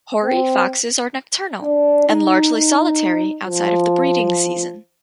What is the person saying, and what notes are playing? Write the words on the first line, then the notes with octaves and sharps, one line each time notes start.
Hoary foxes are nocturnal, and largely solitary outside of the breeding season.
C4
D4
D#4
D#4
F3